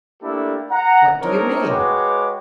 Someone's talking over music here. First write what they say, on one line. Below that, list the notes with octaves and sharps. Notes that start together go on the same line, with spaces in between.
What do you mean?
A3 A#3 D4 E4 G4 A4
F#5 A#5
C4 D4 D#4 A#4 C#5
G#3 F#4 B4 C#5 G5 D6